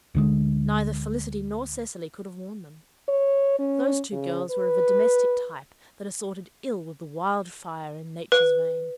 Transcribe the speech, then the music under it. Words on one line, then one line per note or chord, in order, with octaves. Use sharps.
Neither Felicity nor Cecily could have worn them. Those two girls were of a domestic type that assorted ill with the wildfire in Nature's veins.
D2 D3 G#3
C#5
C#4
C#3
B4
B4